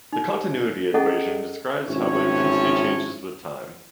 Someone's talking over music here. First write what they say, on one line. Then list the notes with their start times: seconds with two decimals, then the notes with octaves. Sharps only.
The continuity equation describes how the density changes with time.
0.13 D#4
0.30 G4
0.94 C#4 E4 G#4 A4 D#5 F#5
1.87 G#1 A2 F3 C#4 E4 C#5